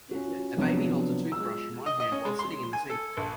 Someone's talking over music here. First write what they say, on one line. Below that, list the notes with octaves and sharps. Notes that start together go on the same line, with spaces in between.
A baby holds a toothbrush in one hand while sitting in the sink.
C#4 F4 F#4
C3 F3 F#3 B3 D4
G#3 F4 E6
D#5
D#5
C#4
G#3
C6
G#5
A4
A#1